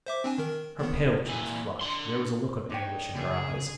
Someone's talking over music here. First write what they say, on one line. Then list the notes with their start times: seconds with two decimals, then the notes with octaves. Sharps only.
Her pale cheeks flushed, there was a look of anguish in her eyes.
0.06 C5 E5 D6
0.24 C4 D4 G#5
0.38 D#3 A#4
0.80 D#3 B3
1.27 A#2 E3
1.81 D4 C6
2.70 D4 D#4 C#5 G5
3.14 C#3 G#4